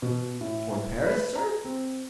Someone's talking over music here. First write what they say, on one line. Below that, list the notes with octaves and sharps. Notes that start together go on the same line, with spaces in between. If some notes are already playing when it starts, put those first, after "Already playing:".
"Toward Paris, sir?"
B2
A2
B4
A#5
C4